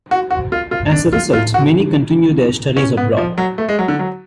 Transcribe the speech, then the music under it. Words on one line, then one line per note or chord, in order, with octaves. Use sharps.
As a result, many continue their studies abroad.
F#4
F#4
F4
F4
D4
F4
F4
F#4
C#4
B3
F3
F#3
A3
G#3
F#3
D3
F#3